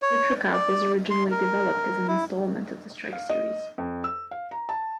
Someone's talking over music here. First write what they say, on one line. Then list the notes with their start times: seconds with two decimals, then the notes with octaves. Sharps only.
"Future Cop" was originally developed as an installment of the "Strike" series.
0.02 C#5
0.53 D5
1.10 C6
1.31 A#4
2.08 E4
3.13 F5
3.29 D#5
3.78 F2
4.04 E6
4.31 F5
4.51 A#5
4.69 A5